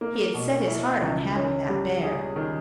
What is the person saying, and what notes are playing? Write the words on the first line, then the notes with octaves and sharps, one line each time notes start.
He had set his heart on having that bear.
A#3
B2
E4
C#2
C#4
G3
G#4
D#3